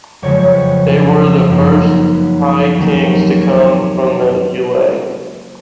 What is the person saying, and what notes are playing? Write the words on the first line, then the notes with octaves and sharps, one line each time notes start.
They were the first High Kings to come from the Ulaid.
F#1 F2 C#3 F3 G#3 C#5
C#5
B4
F#2 F3 A#3 D#4
B4
D#2 D#3 F#3 A#3 C#4
C#5